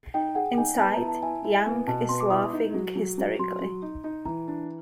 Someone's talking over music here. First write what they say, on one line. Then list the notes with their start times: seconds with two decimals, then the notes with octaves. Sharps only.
Inside, Yang is laughing hysterically.
0.14 D#4 G5
0.35 G#4 F#5
0.58 D#4 G#5
0.79 B3 A5
0.93 A#5
1.01 E4
1.08 A5
1.22 E4 G#5
1.44 E4
1.66 B3 G#5
1.87 B2 A5
2.09 B3 C6
2.20 D6
2.30 E4 D#6
2.53 D#4
2.74 F#3
2.96 F#3
3.18 F#3
3.39 F#3 C6
3.61 F#3
3.82 D#4
4.04 D#4
4.25 E3 A#5
4.48 D4